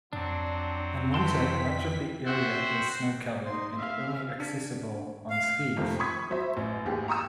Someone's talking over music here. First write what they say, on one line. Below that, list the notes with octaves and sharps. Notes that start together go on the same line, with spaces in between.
In winter much of the area is snow-covered and only accessible on skis.
F2 F#3 C4 D4
E3 G5 A5 C6 B6
F#4 C5 E5 F#5 G5 C6
D#4 C6
E5 F5
D4
F5
F2 C3 D#3 A3
B5 C#6 D#6 G#6 B6
F#3 C5 E5
A1
G#1 D#2 G4 G#4
A#5 C#6 D#6 E6